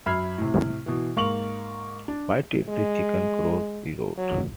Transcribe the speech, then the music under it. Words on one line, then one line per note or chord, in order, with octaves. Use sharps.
Why did the chicken cross the road?
F#2 E5 B5 F6 G#6 C7
A2 C3
B2 E3
G#2 A#3 C#6 F7 F#7
D4
G#3
F#3